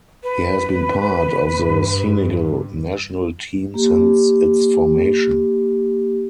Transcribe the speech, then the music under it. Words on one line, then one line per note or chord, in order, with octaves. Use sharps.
He has been part of the Senegal national team since its formation.
B4
G2
A#3 G4